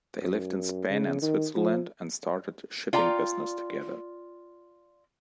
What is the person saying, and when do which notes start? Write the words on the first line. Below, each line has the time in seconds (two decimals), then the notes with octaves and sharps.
They lived in Spain and Switzerland and started a shipping business together.
0.22 F#2
0.90 C#3
1.22 D#3
1.56 F3
2.93 F4 D5 G5 A#5